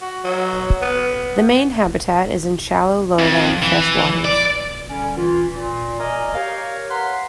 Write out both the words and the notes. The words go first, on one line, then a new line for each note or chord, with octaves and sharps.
The main habitat is in shallow lowland freshwaters.
F#4
F#3
B3
F2
E3
D5
D3 G3 C#4
E3 F4
A#2
A#4 D5 D#5 G#5 A#5
G4 A#4 C#5 F5
B4 F#5 A#5 C6